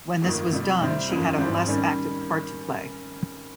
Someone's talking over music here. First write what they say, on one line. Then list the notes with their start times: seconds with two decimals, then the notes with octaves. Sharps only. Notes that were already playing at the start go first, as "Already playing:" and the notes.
When this was done she had a less active part to play.
0.22 G1 F2 D#3 A#3
0.51 F2 C3 G3
0.80 C2 C3 G3 C4
1.09 G1 F2 C#3 F3 A#3
1.38 G#1 G#2 G3 C4
1.67 D#3 G3 C#4